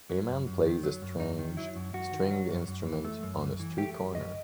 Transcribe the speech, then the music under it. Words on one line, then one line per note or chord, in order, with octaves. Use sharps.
A man plays a strange stringed instrument on a street corner.
F#3
F#2
F#2
D#3
F#3
F#2
F#2 D#4
D#3
F#3 E4
F#2
F#2 F#4
D#3
F#3
F#2
F#2
E3
A3
F#2
F#2
E3
A3 G4
F#2
F#2 D#5